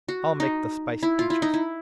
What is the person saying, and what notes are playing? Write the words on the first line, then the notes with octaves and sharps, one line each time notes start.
I'll make the spiced peaches!
F#4
D#4
E4
F4
E4
D#4
E4